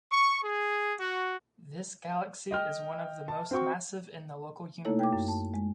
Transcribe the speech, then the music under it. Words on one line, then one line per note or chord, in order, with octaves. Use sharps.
This galaxy is one of the most massive in the local Universe.
C#6
G#4
F#4
D#5 G5 F6
A5
C4 F#4 G5 C#6
A3 A#3 D#4 E4 A4 C#5
G5 D6
F#2
A5
G#3